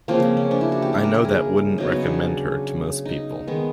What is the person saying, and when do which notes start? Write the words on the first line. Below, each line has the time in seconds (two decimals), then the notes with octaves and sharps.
I know that wouldn't recommend her to most people.
0.08 C#3 F3 A#3 C4
0.22 C4
0.37 C#4
0.51 D4
0.61 E4
0.72 F#4
0.82 G4
0.93 G4
1.04 A#4
1.14 A#4
1.25 G#4
1.78 C#3 F#3 B3 D#4
1.92 D#4
2.06 D4
3.05 D#4
3.47 D#3 G#3 B3